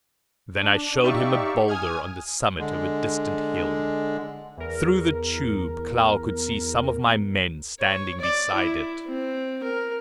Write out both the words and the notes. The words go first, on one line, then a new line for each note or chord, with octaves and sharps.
Then I showed him a boulder on the summit of a distant hill; through the tube, Klow could see some of my men standing beside it.
D4
D#4 G4 D5 E5 F5 C#6
G#5 D#6 F6 G#6
D3 G#3
E2 A#4
C#5
D5
E4
C4
A#4